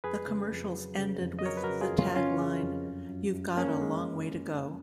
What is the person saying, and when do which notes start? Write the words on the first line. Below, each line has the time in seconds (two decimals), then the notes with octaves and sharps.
The commercials ended with the tag line You've got a long way to go.
0.04 F2 G#4 B4
0.28 C#3
0.52 F2
0.75 F#3
0.99 C#3
1.21 F2
1.39 D#5
1.46 F#3 A#4 C#5
1.57 B4
1.63 F#4 A#4
1.70 C#3
1.81 F4 G#4
1.92 F2
1.98 C#4 F4
2.16 C#3 C#4 F4
2.39 C#3
2.64 F2
2.87 F#2
3.10 F#2
3.35 F#2
3.57 G#3 A#3 C#4
3.81 G#3